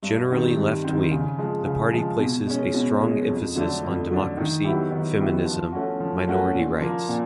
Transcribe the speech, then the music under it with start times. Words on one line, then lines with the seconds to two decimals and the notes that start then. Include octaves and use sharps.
Generally left-wing, the party places a strong emphasis on democracy, feminism, minority rights.
0.03 G2
0.29 D#3 G3 C4
0.57 G2
0.84 D#3 G3 C4
1.11 C#3
1.38 F3 G#3
1.66 C#3
1.93 F3 G#3
2.19 B2
2.47 G#3 C#4
2.74 B2
3.01 G#3 C#4
3.29 F2
3.55 D3 F#3 A3 D4
3.83 F2
4.10 D3 F#3 A3 D4
4.37 D#3
4.64 F#3 B3 E4 G4
4.92 D#3
5.18 F#3 B3 E4 G4
5.45 F3
5.72 A3 C#4 F#4
6.00 F3
6.27 A3 C#4 F#4
6.54 A#2
6.81 F3 A#3
7.09 A#2